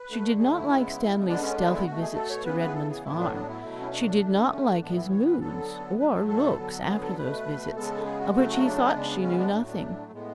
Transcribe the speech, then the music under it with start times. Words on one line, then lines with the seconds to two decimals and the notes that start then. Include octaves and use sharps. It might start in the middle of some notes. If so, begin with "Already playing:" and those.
She did not like Stanley's stealthy visits to Redman's Farm; she did not like his moods or looks after those visits, of which he thought she knew nothing.
Already playing: B4
0.09 D3 A3
0.39 G#4
0.54 E4
0.68 C#3 G#3 B3
1.27 D3 G#3 B3 D4
1.42 C#4
1.57 D4
1.71 E4
1.86 B2 A3 F#4
2.01 G#4
2.15 A4
2.30 C#5
2.45 C#3 E3 B3 B4
2.60 B4
2.68 G#4
2.74 A4
2.90 G#4
3.04 A2 F#3 B3 E4
3.19 D4
3.34 D4
3.48 E4
3.63 B2 F#3 A3
3.81 C#4
3.93 D4
4.22 D3 A3
4.52 C#4
4.66 D4
4.81 A2 E3 B3 D4
4.96 E4
5.10 C#5
5.25 B4
5.40 D3 F#3 B3 A4
5.99 A2 F#3 A3 B4
6.13 A4
6.28 A4
6.58 D3 F#3 B3
6.87 G#4
7.02 A4
7.17 B2 A3 B4
7.76 C#3 G#3 B3 A4
8.05 G#4
8.20 F#4
8.35 C#3 F#3 A3 F#4
8.50 F#4
8.64 D4
8.94 C#3 G#3 B3
9.23 C#4
9.38 D4
9.52 A2 F#3 A3 D4
9.68 D4
10.12 A2 G#3 B3